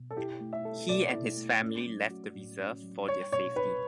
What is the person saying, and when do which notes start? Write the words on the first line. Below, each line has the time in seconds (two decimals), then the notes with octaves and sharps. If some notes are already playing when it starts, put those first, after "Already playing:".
He and his family left the reserve for their safety.
Already playing: B2
0.11 A4
0.17 E4 G4
0.41 A3
0.53 E5
0.65 A4
0.89 B2 D5
1.13 E4
1.38 A3
1.62 C#4
1.86 F#3
2.11 F#4
2.35 A2
2.59 C#4
2.83 F#3
3.08 G3 C#5
3.32 B2 C#5
3.56 C#2 B4